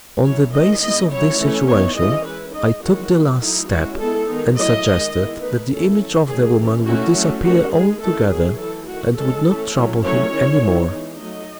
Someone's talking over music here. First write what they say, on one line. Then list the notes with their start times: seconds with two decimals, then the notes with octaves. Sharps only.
On the basis of this situation, I took the last step and suggested that the image of the woman would disappear altogether and would not trouble him any more.
0.24 F#3 C#4 E4 C#5
0.53 D#3 A3 C#4 E4 D#5
0.81 G#3 B3 E4 D#5
1.11 F#3 C#4 E4 C#5
1.39 E3 A3 C#4 E4
1.68 E3 B3 D#4 C#5
1.97 E3 G#3 C#4 E4 D#5
2.25 G#3 C#4 E4 B4
2.54 G#3 D#4 D#5
2.83 D#3 G#3 C#4 E4 F#4
3.12 F#3 B3 E4
3.40 F#3 A3 D#4 E4
3.69 G#3 C#4 E4 F#4
3.98 G#3 B3 E4 A4
4.27 D#3 G#3 B3 D#4
4.56 F#3 A3 E4 D#5
4.85 D#3 G#3 D#4
5.13 D#3 G#3 B3 E4
5.43 D#3 A3 D#4 B4
5.71 D#3 A3 C#4 E4 A4
6.00 D#3 F#3 C#4
6.28 D#3 F#3 A3 G#4
6.58 E3 A3 C#4
6.86 D#3 A3 C#4 E4 F#4
7.15 F#3 A3 C#4
7.44 D#3 A3 C#4 F#4
7.73 G#3 D#4 G#4
8.02 D#3 A3 C#4 E4 A4
8.30 D#3 F#3 B3 E4 G#4
8.59 E3 A3 E4 A4
8.87 D#3 A3 E4 F#4
9.16 G#3 C#4 E4 A4
9.46 E3 A3 C#4
9.75 F#3 A3 C#4 E4
10.03 F#3 A3 C#4 E4 C#5
10.32 D#3 G#3 C#4 E4
10.61 E3 B3 E4
10.90 E3 G#3 D#4
11.19 F#3 A3 D#4 D#5